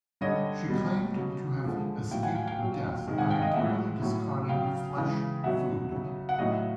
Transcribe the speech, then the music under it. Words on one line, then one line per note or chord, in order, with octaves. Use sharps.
She claimed to have "escaped death by entirely discarding flesh food".
D3 G3 C#5 D#5
B2 G3
C#3 F#3
D3 F3 G#3
A2 F#3 F5 G5
F#5 G#5
F5 G5
F5 G5
A#2 F#3
C3 D#3 G#3
F#5 G#5
F5 G5
D#5 F5
A2 F3 G#3 E5 F#5
A2 F#3
C#3 F#3 F5 G5
C#3 E3 G#3
B2 F#3 E5 F#5
C#3 F#3
F#5
A2 F#3 D#5 F5
E5 F#5